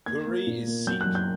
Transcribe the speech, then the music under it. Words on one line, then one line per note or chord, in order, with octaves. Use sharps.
Puri is Sikh.
A#3 G#6
A#3
A#2
A#3
F#3 G6
F#6
F#2
G6